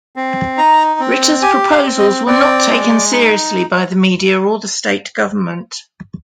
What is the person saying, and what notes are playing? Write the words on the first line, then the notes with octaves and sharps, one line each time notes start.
Ritter’s proposals were not taken seriously by the media or the state government.
C4
D#4 A#5
C4
G4 G#5
F5
C4
D#5
C4 D5
G#3
D#4